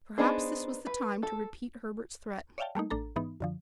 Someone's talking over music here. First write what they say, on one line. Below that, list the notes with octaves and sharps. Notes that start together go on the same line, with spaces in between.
Perhaps this was the time to repeat Herbert's threat.
B3 D4 D#4 G#4 C5
B4
A4
C#5 D5 E5 F5 G5 A5
G3 A3 A#3 D#4
A1 D4 A4 A#5
G#2 E3 B3 D#4
F#2 D3 F3